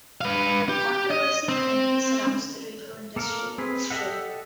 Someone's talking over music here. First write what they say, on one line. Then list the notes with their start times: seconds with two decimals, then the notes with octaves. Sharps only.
Controversy currently surrounds the rodeo industry in Australia.
0.21 B4 F5
0.69 G4
1.11 D#5
1.49 C4
3.16 A#3 A4 A#4 F5
3.58 C4 G#4 B4
3.90 G4 A4 D#5 E5 F#5